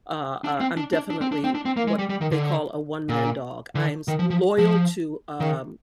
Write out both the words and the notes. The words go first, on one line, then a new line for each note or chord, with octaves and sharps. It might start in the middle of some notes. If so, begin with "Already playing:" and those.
uh, uh, I'm definitely what they call a one-man dog, I am s loyal to, um,
D4
C4
D4
D4
D4
C4
D4
C4
D4
C4
A#3
G#3
G3
G3
D#3
D3
A#2
D3
D#3
F3
F3
F3
D#3